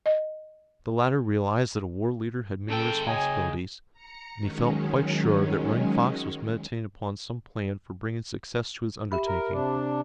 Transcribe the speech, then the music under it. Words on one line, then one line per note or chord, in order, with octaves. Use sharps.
The latter realized that a war-leader had many responsibilities, and he felt quite sure that Running Fox was meditating upon some plan for bringing success to his undertaking.
D#5
C#3 A4 G5
C#5 D#5 G#5
A#5 C#7
D#3 F#3 G#3 C#4
G4 E5 B5
A#4
C3 D4